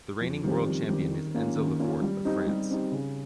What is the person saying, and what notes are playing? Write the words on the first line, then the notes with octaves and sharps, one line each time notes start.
The reigning World Champion is Enzo Lefort of France.
F2
D#3 G3 C4 G4
F2
D#3 G3 C4 G4
D#3
A#3 C#4 F4
D#3
A#3 C#4 F4
G3
C4 D#4 G4
G3
C4 D#4 G4
C#3